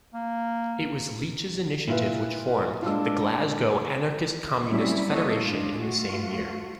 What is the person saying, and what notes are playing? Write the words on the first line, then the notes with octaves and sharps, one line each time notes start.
It was Leech's initiative which formed the Glasgow Anarchist-Communist Federation in the same year.
A#3
A#2 E4 F4 B4
A#2 G#3 D4 F4 E6
F#3 G3 A#3 C4 C#4 E4
A#3 E4 F4 A4 C#5 D#5
G#2 G#3 D4 F4
A3 F4 F#4